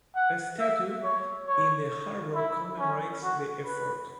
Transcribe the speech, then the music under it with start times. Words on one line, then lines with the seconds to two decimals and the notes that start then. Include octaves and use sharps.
A statue in the harbour commemorates the effort.
0.16 F#5
0.60 E5
1.03 C#5
1.48 C#5
2.35 E4
2.79 C#4
3.23 F#4
3.67 B4